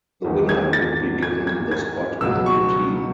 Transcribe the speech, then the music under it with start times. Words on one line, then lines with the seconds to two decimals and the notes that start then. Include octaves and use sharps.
The winner would be given the spot in the team.
0.24 E2 D#3 G#3
0.49 G#6
0.73 A6
1.23 G#6
1.47 G#6
1.71 G#6
2.21 C#2 B2 F#3 E6
2.46 C#6